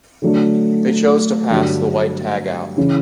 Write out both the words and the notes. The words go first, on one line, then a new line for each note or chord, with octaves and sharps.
They chose to pass the white tag out.
D3 F#3 A3 D4
G2 D3 F#3
C#3 E3